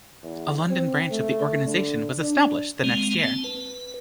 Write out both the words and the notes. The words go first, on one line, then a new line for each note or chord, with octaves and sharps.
A London branch of the organisation was established the next year.
E2
C4
A3
D3
D4
G#3 A#3 C4
C4 A5
B4